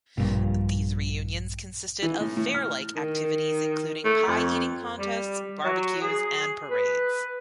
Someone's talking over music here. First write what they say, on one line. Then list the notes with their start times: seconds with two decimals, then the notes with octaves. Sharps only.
These reunions consisted of fair like activities, including pie eating contests, barbecues, and parades.
0.18 A#1 G2 A#2
2.02 E3
2.21 A2
2.37 A2
2.55 F6
2.96 D#3
4.04 A3
4.28 F2
4.98 G3
5.65 F#3
6.02 G#4
6.71 B4